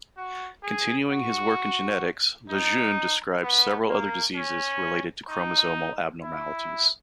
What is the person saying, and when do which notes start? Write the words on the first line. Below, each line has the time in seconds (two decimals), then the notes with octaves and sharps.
Continuing his work in genetics, Lejeune described several other diseases related to chromosomal abnormalities.
0.17 F#4
0.63 G#4
1.10 F#4
2.50 D#4
3.43 B3
3.89 A#3
4.35 C#4
5.29 D#4
6.22 E4